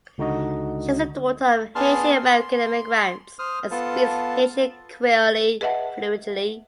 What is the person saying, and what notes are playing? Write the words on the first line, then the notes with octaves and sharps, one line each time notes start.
She is the daughter of Haitian American immigrants and speaks Haitian Creole fluently.
C#2 D3 D#4 F#4 D#5
B3 D4 G#4 A5 C6 F6
C6
C5 D#6 F6
B3 F4 A4 A5
G#4 B4 D#5 E5 F#5 A5